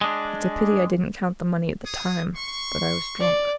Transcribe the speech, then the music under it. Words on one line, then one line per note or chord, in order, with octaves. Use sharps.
"It's a pity I didn't count the money at the time, but I was drunk...."
G#3 D4
G#4 C#5 D#6
C6 C#6
D5